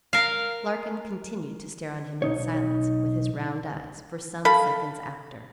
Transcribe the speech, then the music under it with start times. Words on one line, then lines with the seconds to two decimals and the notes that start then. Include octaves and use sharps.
Larkin continued to stare on him in silence, with his round eyes, for some seconds after.
0.13 A#4 F5
2.22 B1 D#4 C#5
4.45 A4 F5 B5